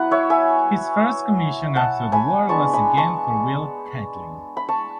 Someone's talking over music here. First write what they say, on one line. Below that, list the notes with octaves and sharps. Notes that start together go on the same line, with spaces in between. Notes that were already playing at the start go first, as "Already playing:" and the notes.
His first commission after the war was again for Will Catlin.
Already playing: F#3 B3 E4 B4 F#5
C#5 E5
E5 G#5
F#5 A5
G#5 B5
G#3 B3 D4 A5 C#6
G#5 B5
A5 C#6
B5
A5 C#6